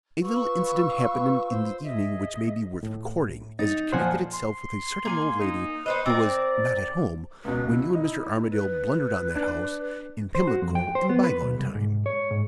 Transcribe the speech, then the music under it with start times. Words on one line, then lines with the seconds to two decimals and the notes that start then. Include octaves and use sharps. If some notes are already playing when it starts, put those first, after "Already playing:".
A little incident happened in the evening which may be worth recording, as it connected itself with a certain old lady who was not 'at home' when you and Mr. Armadale blundered on that house in Pimlico in the bygone time.
0.23 F4 B4 C#6 E6
1.48 C5 E6
1.84 G#4 D#5 E5
2.83 A2
3.59 D#4 A6
3.92 F2 A#2 F3 C5 F#5 G#5
4.34 C6
5.05 A#3 G#5
5.40 D#4
5.86 D#4 B4 C5 D#5
6.06 C4 A#4 D5
7.45 C#2 B2 B4
7.70 E4
7.95 D#4
8.51 B4
9.36 D4
10.35 C5
10.47 F#4
10.62 F2
10.75 G5
10.95 C5
11.09 B3
11.24 B4
11.42 B1
11.59 C2
11.75 G#2
12.06 C#5
12.31 G#2